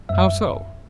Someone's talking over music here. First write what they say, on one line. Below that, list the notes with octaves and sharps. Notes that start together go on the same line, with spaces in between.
"How so?"
F#2 E5